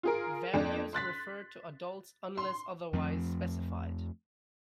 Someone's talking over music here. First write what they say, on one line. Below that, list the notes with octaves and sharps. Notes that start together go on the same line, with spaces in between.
Values refer to adults unless otherwise specified.
F4 G#4 A#4
F2 D4
C6 F#6 A6 B6
C6
F2 F3 A3 C4